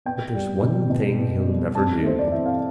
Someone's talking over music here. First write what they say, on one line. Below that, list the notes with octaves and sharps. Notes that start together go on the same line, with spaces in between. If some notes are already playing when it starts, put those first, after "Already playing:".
But there's one thing he'll never do.
B3 G5
G3
B2
B2
B3
G3
C4 A5
A3 C5
D5
E3 E5
F5